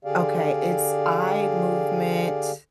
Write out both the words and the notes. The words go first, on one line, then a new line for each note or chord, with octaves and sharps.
Okay, it's eye movement
D3 G4 G#4 D5 F5